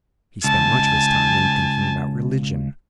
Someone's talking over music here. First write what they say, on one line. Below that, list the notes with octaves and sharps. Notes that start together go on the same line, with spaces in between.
He spent much of his time in thinking about religion.
C#2 G#5 A5